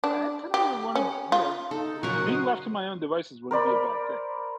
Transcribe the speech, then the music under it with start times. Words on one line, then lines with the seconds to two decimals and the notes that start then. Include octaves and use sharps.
I had kind of u wanna, you know, uh be left to my own devices wouldn't be a bad thing.
0.04 D4
0.54 G4
0.95 C#4
1.32 F4
1.71 D#4 A4
2.03 A#2 C#3 F#3 A#4 F#5 C#6
2.26 F#4 C5 D#5 F#5
3.51 A#4 C5 D5 B5